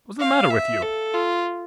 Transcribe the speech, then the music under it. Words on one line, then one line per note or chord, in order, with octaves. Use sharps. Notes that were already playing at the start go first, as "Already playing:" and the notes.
What's the matter with you?
F5
E5
A4
F4